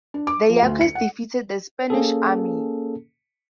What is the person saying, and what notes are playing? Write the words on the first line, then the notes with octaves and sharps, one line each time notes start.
The Yaquis defeated the Spanish army.
D4
D6
F3
D2
C#7
F#5
A#3 C#4 G#4 A4